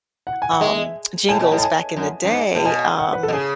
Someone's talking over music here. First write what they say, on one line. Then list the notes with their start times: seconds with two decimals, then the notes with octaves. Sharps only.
um, jingles back in the day, um,
0.27 F#5
0.42 G#5
0.52 F#5
0.61 G#3 E5
1.29 A2 G#5
1.39 B2
1.51 A2
1.58 A5
1.63 G#5
1.96 F#2
2.25 F#2
2.31 G#2
2.55 A2
2.65 B2 G#5
2.99 F#5
3.13 B4
3.23 A4
3.28 B2
3.33 C#3 G#4